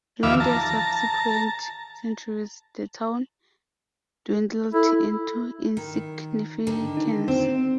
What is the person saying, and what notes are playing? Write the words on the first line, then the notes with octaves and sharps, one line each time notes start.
During the subsequent centuries, the town dwindled into insignificance.
D#2 F3 E5 F5 B5 D6
A5 A#5
E4 A4
D#3
D3 D#3
D#4
C4